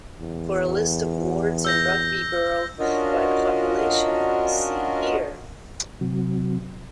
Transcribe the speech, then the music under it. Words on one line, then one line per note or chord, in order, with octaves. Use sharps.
For a list of wards in Rugby borough by population see here.
E2
E6 G6 A#6
C#4 D4 F4 F#4 A#4 D#5
C3 F#3